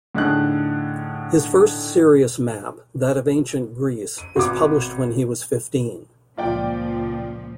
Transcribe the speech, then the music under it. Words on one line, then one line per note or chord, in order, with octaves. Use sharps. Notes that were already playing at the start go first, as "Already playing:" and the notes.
His first serious map, that of Ancient Greece, was published when he was fifteen.
A2 D3 D#4 G#4 F#6
D#7
G#1 B2 F#4 D6
C#2 A#2 F3 F4 D5 G5